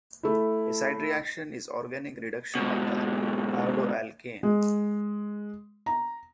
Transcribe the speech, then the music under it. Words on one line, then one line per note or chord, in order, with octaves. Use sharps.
A side-reaction is organic reduction of the iodoalkane.
A3 E4
G#2 B2
G#3
A#5